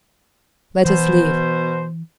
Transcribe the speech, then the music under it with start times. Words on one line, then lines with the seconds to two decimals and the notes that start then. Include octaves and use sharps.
Let us live.
0.85 B2 E3 C5